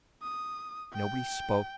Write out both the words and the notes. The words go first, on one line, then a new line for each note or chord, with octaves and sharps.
Nobody spoke.
D#6
G5